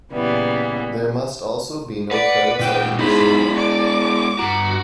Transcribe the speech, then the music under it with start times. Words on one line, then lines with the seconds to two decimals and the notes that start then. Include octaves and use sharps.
There must also be no credits on the machine.
0.11 A#2 C#3 E3 G3 B3
2.11 B4 D5 F#5
2.59 A#2 F4 F#5 G5
2.99 B2 G#3 D#4 G#4 B5
3.58 D5 D6
4.39 G2 F#4 A#5